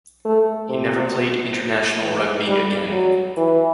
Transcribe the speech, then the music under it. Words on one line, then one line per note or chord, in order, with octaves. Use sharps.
He never played international rugby again.
A3
C3
E3
G3
F#3
E3